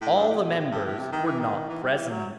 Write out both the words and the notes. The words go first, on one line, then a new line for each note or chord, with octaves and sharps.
All the members were not present.
A2
G2
A2
C3
B2
A2
G2
A2
C3
D#3
E3
D#3
E3
G3
E3
F#3